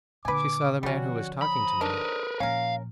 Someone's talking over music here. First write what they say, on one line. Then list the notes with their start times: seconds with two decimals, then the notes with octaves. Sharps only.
She saw the man who was talking to me.
0.25 A#2 D3 B4 G#5 D6
0.83 D3 F3 G3 C#4 F#4
1.42 C5 A#5 B5 D#6
1.81 D4 D#4 A#4 B4
2.40 A#2 F3 C#4 A#4 F5